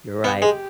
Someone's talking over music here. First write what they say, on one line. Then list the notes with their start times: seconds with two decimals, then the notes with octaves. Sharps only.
You're right,
0.23 B3 G4
0.42 G#3